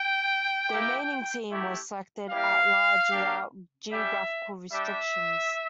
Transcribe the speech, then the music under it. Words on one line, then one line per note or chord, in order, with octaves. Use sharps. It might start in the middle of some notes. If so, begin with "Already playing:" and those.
The remaining team was selected at-large without geographical restrictions.
Already playing: G5
A#3 E4 G4
A3 E4 G4
G3 A#3 E4 G4 F5
A#3 D4 G4
G3 C#4 G4 E5
G3 D4 G4 E5